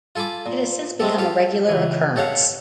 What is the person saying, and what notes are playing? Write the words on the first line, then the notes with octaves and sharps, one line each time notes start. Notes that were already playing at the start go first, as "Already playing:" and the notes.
It has since become a regular occurrence.
F4 A4 G#5 B5 D6
A#2
G#3 A3 C4 G4 A4
F4 G4 A4 F5
C#2 E3
G4 A4 C#5 F5 F#5